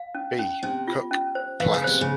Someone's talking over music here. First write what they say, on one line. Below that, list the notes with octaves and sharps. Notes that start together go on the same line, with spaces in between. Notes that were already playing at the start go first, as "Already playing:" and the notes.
B. Cook, Class.
Already playing: F5
C#4
C#4
C3 C#4
F4
C#4
C5
E3 F5
C#3
C3 C5
C#3